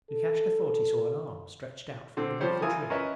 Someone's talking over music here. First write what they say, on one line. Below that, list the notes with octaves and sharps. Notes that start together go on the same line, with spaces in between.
Lukashka thought he saw an arm stretched out from beneath the tree.
A4
D3 C4
F3 G3 C5 C#5
E3 E4 F4 A#4 G#5 D#6
C#4 A#4 B4 D#5 E5